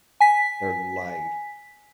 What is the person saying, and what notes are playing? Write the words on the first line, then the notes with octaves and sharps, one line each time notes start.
their life,
G#5 B6